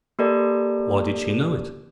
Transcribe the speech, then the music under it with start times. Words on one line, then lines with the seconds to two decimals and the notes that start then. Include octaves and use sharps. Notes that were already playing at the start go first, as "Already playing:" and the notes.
Why did she know it?
0.19 A#3 G4 A4 A#4 D5